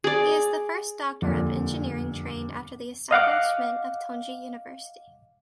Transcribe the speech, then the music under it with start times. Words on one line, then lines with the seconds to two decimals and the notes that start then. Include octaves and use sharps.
He is the first doctor of engineering trained after the establishment of Tongji University.
0.04 G#4 D5
1.22 D#1 F2 A#2 D3
3.11 D#5 F5 F#5 D6